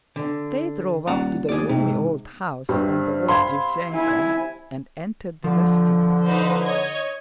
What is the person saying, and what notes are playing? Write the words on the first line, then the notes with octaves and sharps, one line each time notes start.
They drove up to the gloomy old house on the Vozdvizhenka and entered the vestibule.
D3
D#1 D5 F#5 A#5
D#2 G#4 D5
G#2 C3
G2 C3
F5 B5 C6 G#6
E4 G#5
D3 F3
D#4 B4 C5
C#5 D#5 G#6